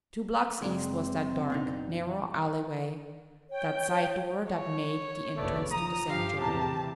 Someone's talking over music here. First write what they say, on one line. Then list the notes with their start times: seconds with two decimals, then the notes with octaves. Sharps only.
Two blocks east was that dark, narrow alleyway, that side door that made the entrance to the Sanctuary.
0.62 F#1 G#3 C4 D5
1.50 B2 D4 D#4
3.50 C#5 G5
4.51 C#5
5.37 F#1 B1 A3 B3 D5
5.72 F3 A#5 D#6
6.08 G2 F3 G4 F5
6.41 E2 A2 C3 A5 A#5